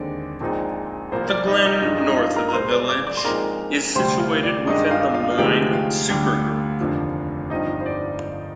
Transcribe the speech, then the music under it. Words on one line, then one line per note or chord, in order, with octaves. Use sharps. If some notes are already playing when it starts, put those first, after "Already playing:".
The glen north of the village is situated within the Moine Supergroup.
Already playing: D#2 D3 G#3 C4 D5
A#1 A#2 G#3 C4 D#4
C2 A#2 F3 A#3 C5
D5
D#4 D#5
D#4 D#5
G2 F3 G#3 D4 D#4 D#5
D#4 D#5
F4 F5
A#4 A#5
A#5
C2 A#2 G#3 C5 C6
D5 D6
D5 D6
D5 D6
C6
A#1 A#2 G#3 C4 D#4 A#4 A#5
D2 C3 G3 C5 C6
F4 F5
D5
G2 D#3 G#3 D4 D#4 D#5
F4 F5
F4 F5
F5
D2 C3 F3 G#3 D#4 G4 G5
F4 F5
D2 D3 G3 D4
F1 D#2 D3 F3
G1 G2 F3 C4 D#4 D#5
C5
D5